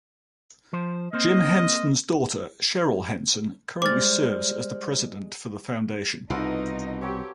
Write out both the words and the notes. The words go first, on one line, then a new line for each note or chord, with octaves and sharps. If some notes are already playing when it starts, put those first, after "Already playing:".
Jim Henson's daughter Cheryl Henson currently serves as the president for the Foundation.
F3 C5
A#3 C4 C5 D#5
G3 G#3 C5 D6 F6 A6
C2 B2 B3 D#4 F4 A4
F#3 C4 G4 C#5